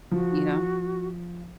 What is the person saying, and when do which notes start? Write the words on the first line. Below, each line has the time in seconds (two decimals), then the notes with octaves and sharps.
You know?
0.11 F3 F#4